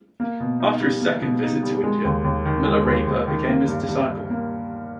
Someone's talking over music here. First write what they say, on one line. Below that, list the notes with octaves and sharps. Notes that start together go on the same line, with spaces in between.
After his second visit to India Milarepa became his disciple.
A#3
B2
D#4
G3
A#3
B2
D#4
G3
G#3
D#2
D#2
D#3
G#3
D#2
D#2
D#3
A#3
G2
G2
G3
A#3